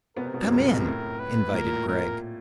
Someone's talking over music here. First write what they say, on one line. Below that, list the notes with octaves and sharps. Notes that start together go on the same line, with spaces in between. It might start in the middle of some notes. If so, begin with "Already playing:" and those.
"Come in," invited Gregg.
B2 B3 A#4
C3 C4
B2 B3
F#2 F#3
C#2 C#3 A#4
C2 C3
B1 B2
A#2
A2
B4
A2
A#2 A#4
A#2
A2
A#2 A#4